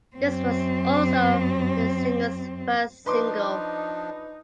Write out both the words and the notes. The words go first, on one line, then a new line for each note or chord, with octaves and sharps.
This was also the singer’s first single.
F#2 C4
F3 D4 D#4 B4 C6 D6